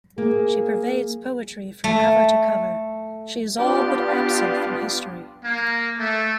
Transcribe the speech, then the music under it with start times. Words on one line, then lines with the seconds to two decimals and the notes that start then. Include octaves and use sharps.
She pervades poetry from cover to cover; she is all but absent from history.
0.18 A#3 G#4
1.84 A3
3.57 B3 D4 F4 G4
5.44 A#3
5.98 A3